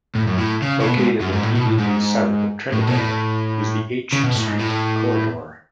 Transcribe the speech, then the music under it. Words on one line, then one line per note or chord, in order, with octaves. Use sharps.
Located immediately south of Trinidad is the H Street Corridor.
A2
F#2
A2
C#3
C#3
B2
G#2
F#2
G#2
A2
B2
A2
G#2
A2
B2
A2
C#3
B2
A2
G#2
A2